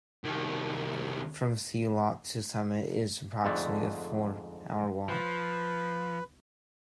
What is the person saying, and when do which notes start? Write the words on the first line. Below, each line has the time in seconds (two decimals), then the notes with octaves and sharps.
From sea loch to summit is approximately a four-hour walk.
0.24 C2 D#3
3.44 F2 G#2 D3 G#3 A3 D4
5.09 F3 B4